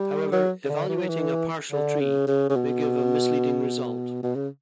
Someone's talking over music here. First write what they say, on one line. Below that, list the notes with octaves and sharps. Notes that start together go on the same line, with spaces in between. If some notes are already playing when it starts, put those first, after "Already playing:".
However, evaluating a partial tree may give a misleading result.
Already playing: G3
F#3
C#3
D3
E3
F#3
E3
D3
C#3
C#3
C#3
B2
B2
C#3